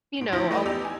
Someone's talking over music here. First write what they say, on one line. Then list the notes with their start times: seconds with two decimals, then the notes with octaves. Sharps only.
you know, I'll
0.17 G#2 D7
0.32 D2 E3 F3 E4 C5 A#6
0.50 E3 A3 B4 D5 D#5
0.65 E2 D#4 G4 D5 E6 F7
0.85 G#5